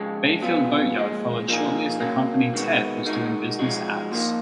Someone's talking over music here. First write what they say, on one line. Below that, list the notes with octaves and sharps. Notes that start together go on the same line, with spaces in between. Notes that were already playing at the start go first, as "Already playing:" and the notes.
Bayfield Boat Yard followed shortly as the company Ted was doing business as.
Already playing: F2 C#3 G#3
B2 F#3 B3 F4 G#4
A#2 F3 G#3
F3 A#3 D#4 G#4
F#2 C#3 F#3 A#3
D#3 G#3 B3 F#4
D#3 G#3 D#4 F#4
F3 G#3 D#4 F#4
A#2 F3 A#3 D#4